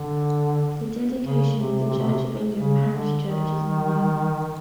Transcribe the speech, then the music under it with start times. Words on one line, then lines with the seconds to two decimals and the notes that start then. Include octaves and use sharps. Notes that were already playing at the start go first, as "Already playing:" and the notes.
The dedication of the Church of England parish church is unknown.
Already playing: D3
1.23 C#3
1.56 C3
1.89 C3
1.99 B2
2.10 C3
2.56 C#3
2.90 D3
3.22 D#3